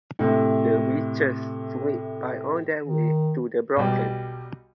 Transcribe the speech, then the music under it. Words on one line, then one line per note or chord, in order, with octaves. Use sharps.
The witches sweep by on their way to the Brocken.
A2 C3
D#3
B1 G3